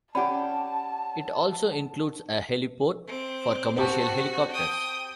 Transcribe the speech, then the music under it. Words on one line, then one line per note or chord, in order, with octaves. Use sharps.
It also includes a heliport for commercial helicopters.
C#4 G4 D5 F#5 A5 B5
C4 D6
C4 F#4 G4 A5
G5 D#6